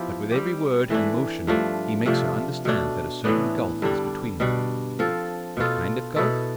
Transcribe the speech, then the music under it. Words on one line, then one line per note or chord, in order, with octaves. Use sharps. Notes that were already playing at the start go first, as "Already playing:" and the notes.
But with every word and motion he makes her understand that a certain gulf is between them. What kind of gulf?
Already playing: F3 B3 E4 G4
G3 C4 G4
E3 A3 D4
G2 F3 A3 D4
C3 F3 A3 D4
B2 A3 D4
A2 E3 B3 D4
G2 D3 G3 D4
B2 G3 D4
F3 C4 F4 A4
B2 B3 F4 A4
B2 B3 E4 A4